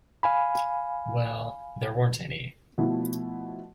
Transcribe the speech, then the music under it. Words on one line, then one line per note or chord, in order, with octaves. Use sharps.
Well — there weren't any.
F5 G#5 B5
B2 F3 A3 E4 F#4